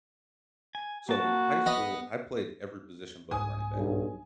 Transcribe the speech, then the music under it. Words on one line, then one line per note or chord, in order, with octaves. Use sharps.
so, in high school, I played every position but running back.
G#5
A#3 F#4 A5
B3 B4 D#5 F#5
C2 G#2 G#5 D#6
B1 G2